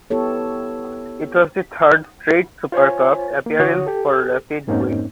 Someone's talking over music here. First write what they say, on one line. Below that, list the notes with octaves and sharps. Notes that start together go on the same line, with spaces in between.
It was the third straight Supercup appearance for Rapid Wien.
B3 E4 G4 A4 C#5
F4 C5 C#5 G#5
A#3
D3 F#4 C#5 D#6
G4 A4
F2 G#2 A#3 C4 C#4 D#4